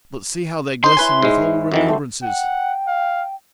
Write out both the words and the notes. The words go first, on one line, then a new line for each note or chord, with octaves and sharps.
But see how they glisten with old remembrances!
D#4 C5 C6
E4 B4 C#5 G#5
G#2 G#3
F2 D#3 E3 F#4
G3 A3 C4
F#5 G5
F5